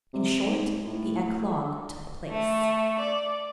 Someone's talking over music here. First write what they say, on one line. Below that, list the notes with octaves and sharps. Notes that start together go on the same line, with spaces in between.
In short, the eclogue took place.
C3
G#2
A2
A3
D5